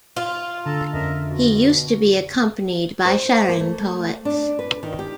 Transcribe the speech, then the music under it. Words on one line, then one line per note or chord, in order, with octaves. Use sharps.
He used to be accompanied by Charan poets.
F4
D3 A4 A5 A#5
F2 C#4 A#4 D#5 E5
B2
C5
A#3
A3
D4
B4
D#3
G4